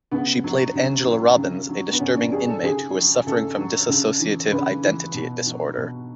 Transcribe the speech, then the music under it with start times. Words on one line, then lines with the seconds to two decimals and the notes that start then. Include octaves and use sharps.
She played Angela Robbins, a disturbing inmate who was suffering from Dissociative Identity Disorder.
0.11 C#3 B3
0.44 F#3
0.75 C#3
1.06 F#3
1.37 C#3
1.69 F#3
1.93 B3
2.00 C#3 C#4
2.16 D4
2.31 F#3 G#4
2.48 A4
2.63 C#3 G#4
2.95 F#3
3.27 C#3 A4
3.57 F#3
3.89 C#3
4.20 E3
4.52 C#3 B4
4.83 E3
5.14 B2
5.45 F#3
5.77 B2